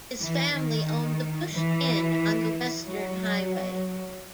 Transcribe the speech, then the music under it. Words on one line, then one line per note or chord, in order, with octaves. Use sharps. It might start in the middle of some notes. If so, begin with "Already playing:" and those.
His family owned the Bush Inn on the Western Highway.
E3
D#3
E3
F#3